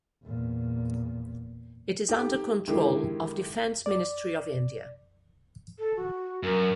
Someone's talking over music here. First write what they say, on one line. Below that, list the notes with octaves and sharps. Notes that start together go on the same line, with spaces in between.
It is under control of Defence Ministry of India.
E2 A#2
D#4 G4 A4
D3 D#3 G#3 E4 G4
D5
A4
F#4
F#2 A#4